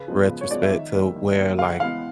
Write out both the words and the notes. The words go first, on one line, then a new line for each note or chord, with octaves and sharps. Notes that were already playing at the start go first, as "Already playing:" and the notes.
retrospect to where, like,
Already playing: C#3 B4
F3 G#3 B3
C#3
C#5
F3 G#3 B3 D5
E5
D#3
G3 A#3
D#3
G3 A#3
C#3 F5
F#5
E3 G#3 B3 F5